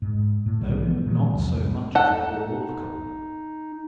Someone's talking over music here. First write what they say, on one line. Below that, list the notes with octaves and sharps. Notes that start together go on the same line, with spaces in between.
No--not so much as a ball of cotton.
G#2
A2
B1 D#3 G3
E3 F3 A#3 B3
A#2 D#3 F#3 G#3
C2 F2
D#4 A4 F#5